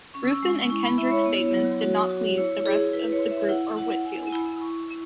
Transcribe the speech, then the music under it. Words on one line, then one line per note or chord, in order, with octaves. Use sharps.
Ruffin and Kendricks' statements did not please the rest of the group or Whitfield.
C#4 C#6
E6
C#6
G#3
E4 C#6
B5
E4 E5
C#5
B3
F#3
F#4
F#4
E4 C#5
E4 G#4
E4 B4
C#5
E4
E5
E4 F#5
E4 F#5
F#5
E4 G#5
E4 B5
E4 C#6
E4